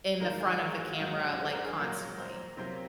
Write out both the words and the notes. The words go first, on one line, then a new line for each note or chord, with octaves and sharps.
in the front of the camera, like, constantly,
G#2 D#3 A#3 A#4
G#4
A#4
G#4
F#4
F4
G#2 F#3 A#3 F#4
G#4
C5
A#4
G#4
A#2 F#3 A#3 A#4
C5
C3 F#3 A#3 C5